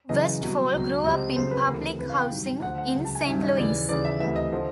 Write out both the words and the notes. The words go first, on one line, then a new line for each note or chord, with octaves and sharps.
Westfall grew up in public housing in Saint Louis.
F#2 C#3 E3 D#5
C2 B2 F#3
C#2 B2 F#3
C#2 C3 F3 D#5
F2 C#3 F#3 C5
B4
D2 C3 E3 A#4
F2 C#3 E3 B4
F5
G5
G2 D#3 F#3
G5
D2 D3 F3 F#5
F#5
C#2 C#3 F#3
A5
G#5
G2 D#3 F#3 E5
D#5
D#2 C#3 E3 D5
D#2 C#3 E3 D5
E5
D2 C3 E3 E5
D#5
D3 F3